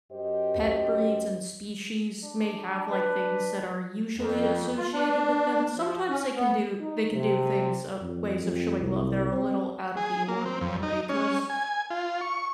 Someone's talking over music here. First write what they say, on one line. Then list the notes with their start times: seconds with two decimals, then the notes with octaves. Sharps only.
pet breeds and species may have, like, things that are usually associated with them, sometimes they can do they can do things uh, ways of showing love that are a little out of the ordinary, 'cause
0.11 F#2 G4 C5 D#5
2.24 D4
2.91 B4
4.16 F2
4.77 F4
4.93 D4
5.76 F3
6.09 C#4
6.35 B3
6.80 D#4
7.13 C3
8.02 F2
8.45 F2
8.80 C2
9.31 C4
9.97 G#4
10.28 A#3
10.45 C4
10.61 F2
10.83 D#4
11.09 C#4
11.50 G#5
11.90 F4
12.21 C#6